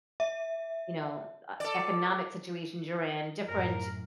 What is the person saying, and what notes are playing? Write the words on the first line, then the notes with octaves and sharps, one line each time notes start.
you know, m e economic situations you're in, y ge different
E5
A4 D5
F#2 A2 A#4